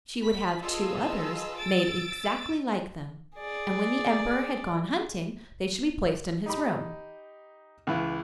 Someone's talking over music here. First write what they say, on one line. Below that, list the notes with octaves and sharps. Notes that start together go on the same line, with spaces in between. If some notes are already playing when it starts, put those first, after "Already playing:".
She would have two others made exactly like them, and when the emperor had gone hunting they should be placed in his room.
B5 B6
F4 G#4 A4 B4 D#5 E6
E6 A6 D7
G#4 D5
D#4 G4 B5
C#2 E3 E4 F5